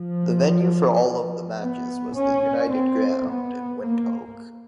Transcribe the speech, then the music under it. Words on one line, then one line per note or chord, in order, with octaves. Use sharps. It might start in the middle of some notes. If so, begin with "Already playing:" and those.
The venue for all of the matches was the United Ground in Windhoek.
Already playing: F3
B3
C#4
C4
B3
A#3